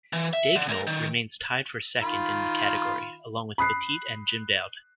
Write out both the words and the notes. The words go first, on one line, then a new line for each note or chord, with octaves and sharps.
Daigneault remains tied for second in the category, along with Petit and Jim Dowd.
E3
E5
D3
D2 A#4
D#3
D#3 F4 B5
B5 D#6 F#6 C7